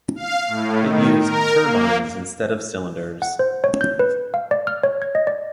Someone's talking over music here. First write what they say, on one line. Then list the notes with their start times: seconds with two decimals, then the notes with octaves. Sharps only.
It used turbines instead of cylinders.
0.16 F5
0.48 A2
0.81 D#3
1.20 A#4
1.60 A#3
3.22 F#5
3.39 C5
3.64 C#5
3.81 G6
3.99 B4
4.34 F5
4.51 D5
4.67 F6
4.83 C#5
5.02 G#6
5.15 D#5
5.27 D5